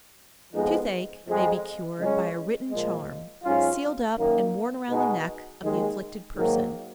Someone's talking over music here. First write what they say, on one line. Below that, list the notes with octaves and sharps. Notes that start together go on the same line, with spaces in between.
Toothache may be cured by a written charm, sealed up and worn around the neck of the afflicted person.
F2 F3 G#3 B3 D#4
F2 F3 G#3
C#2 C#3 G#3 C#4
A#2 F3 G#3
G#2 F#3 C#4 F4
F#2 D#3 A#3
B2 G#3 D#4 F#4
D#2 D#3 G#3
G#2 D#3 F#3 A#3